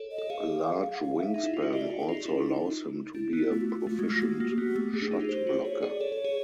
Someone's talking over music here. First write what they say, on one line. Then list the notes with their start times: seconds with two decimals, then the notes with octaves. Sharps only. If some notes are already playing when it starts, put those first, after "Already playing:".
A large wingspan also allows him to be a proficient shot-blocker.
Already playing: A4 C#5
0.12 D#5
0.18 A4
0.30 G#4 F5
0.94 F#5
1.02 F5
1.19 E5
1.34 D#4
1.44 E4
1.54 F4
1.63 F#4
1.72 G4 D#5
1.81 D5
1.90 F#4
1.99 G#4
2.08 D#4 F4
2.26 E4
3.15 D4 E4
3.33 B3 E4
3.51 A3 F4
3.61 F#4
3.70 F4
3.80 F#4
3.87 A3 F4
3.99 G#3 F#4
4.09 A3 F4
4.22 A#3 F#4
4.40 A#3
4.51 G4
4.57 B3 F#4
4.76 A3 G4
4.94 A3 G#4
5.02 D4
5.11 D#4 G#4
5.20 F4
5.29 G4 C5
5.47 F#4
5.64 G#4 C#5
5.82 G#4 D5
6.00 A4 C#5
6.12 A4
6.24 G#4